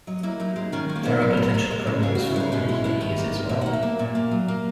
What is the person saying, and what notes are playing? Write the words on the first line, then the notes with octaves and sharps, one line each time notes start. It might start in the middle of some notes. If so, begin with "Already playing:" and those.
There are potential problems for employees as well.
F#3 D#5
A#3 E4
F#3 D#4
G#3
D#3 C#4
G#3
A#3
B2 B3
F#3
F#3
G#3 A#4
G#3
C#3
C#3 G#4
C#3 F#4
E4
G#3 D#4
B2 C#4
G#3 E4
B2 E4
D#3 B4
A#3
D#3
B2 E5
A#3 F#5
E5
A#3
A#2
A#3
F#3
A#3